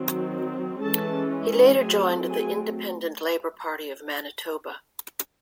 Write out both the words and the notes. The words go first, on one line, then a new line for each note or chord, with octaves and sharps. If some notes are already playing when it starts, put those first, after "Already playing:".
He later joined the Independent Labour Party of Manitoba.
Already playing: D#3 F#3 C4
E3 G#3 C#4 A4 A5
F#3 A3 C4 G#4 G#5
G#4 G#5